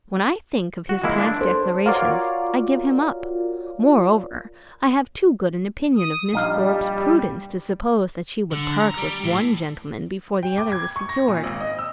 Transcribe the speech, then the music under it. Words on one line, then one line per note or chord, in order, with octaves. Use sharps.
When I think of his past declarations, I give him up. Moreover, I have too good an opinion of Miss Thorpe's prudence to suppose that she would part with one gentleman before the other was secured.
F#4
G#3 A#3 E4
D4
A4 C5
F4 F#4 A#4 C#5 D5 F5
D#6
A#1 G3 D#4 F5
D3
A#5
G3
A2
G5
D6
G#6
C#6
A#6
A#2
G#1
D#5
E6